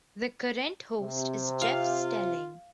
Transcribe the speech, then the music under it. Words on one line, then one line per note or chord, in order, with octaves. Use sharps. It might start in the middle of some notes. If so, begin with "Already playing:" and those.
The current host is Jeff Stelling.
C3
F4 F5